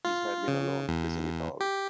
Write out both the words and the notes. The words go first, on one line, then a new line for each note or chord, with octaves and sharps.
He had been alone: facing it all.
F4
C#3
E2
G4